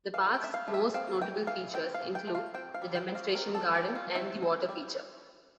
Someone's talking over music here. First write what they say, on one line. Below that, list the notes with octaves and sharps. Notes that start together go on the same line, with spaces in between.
The park's most notable features include the demonstration garden and the water feature.
E3 F5
G5
A3 E5
F5
A3
E5
C4 F5
E3 G5
E3 F5
C4 G5
F5
E3
G5
A3
F5
C4 G5
F5
G3
G5
C4
F5
C4 A#4
A4
C4
G4
G3
F4
C4 E4
C4
G3